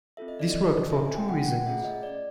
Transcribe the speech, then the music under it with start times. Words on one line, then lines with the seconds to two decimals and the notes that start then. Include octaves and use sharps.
This worked for two reasons.
0.17 C4 F4 A4 E5
0.28 D#5
0.40 D5
0.51 D#5
0.92 C4 F4 A4 E5
1.06 G#5
1.16 G5
1.29 F#5
1.47 F#5
1.66 A3 C#4 F4 G#4 E5
1.84 D#5
2.03 D5